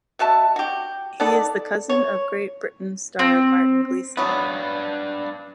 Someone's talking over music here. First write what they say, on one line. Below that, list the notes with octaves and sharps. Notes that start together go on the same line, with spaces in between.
He is the cousin of Great Britain star Martin Gleeson.
B2 F#4 E5 A5
F#4 G4
B3 D#4 A4 D5
C#5
C4
F#3 B3 D4 B4